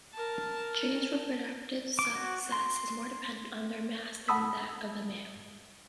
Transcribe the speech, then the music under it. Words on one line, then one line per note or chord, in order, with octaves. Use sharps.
Gynes' reproductive success is more dependent on their mass than that of a male.
A#4 A5
D6
F#4
C6
F#5 A5 B5 D#6 E6 B6